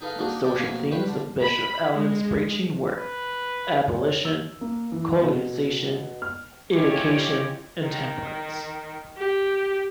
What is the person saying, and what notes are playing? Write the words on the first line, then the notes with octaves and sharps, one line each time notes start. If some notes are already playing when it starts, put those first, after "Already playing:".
The social themes of Bishop Allen's preaching were abolition, colonization, education, and temperance.
D#4 G#4 A4 B4 D#5 F5
A#3 D4 D#4 F#4 G#4
D5 G5 G#5
F2 B2 A#3
B4 C#5 G5 B5 C6
D3
B5
G#3
B4
C#5
E6
A#3
E3
B2
F6
C#4 E4 F4 G4 C#5 D#5
D#3
G4